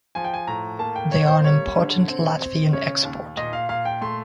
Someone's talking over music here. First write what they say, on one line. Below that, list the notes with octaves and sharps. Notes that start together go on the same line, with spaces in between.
They are an important Latvian export.
F3 G#5
G5
G#5
A2 A#5
A#3 A5
G5
A#3 C#5
C5
G3 C#5
D3
C4
C4
C#3 C#5
D#2
A#2 D#5
F5
A#2 F5
G5
A3 C6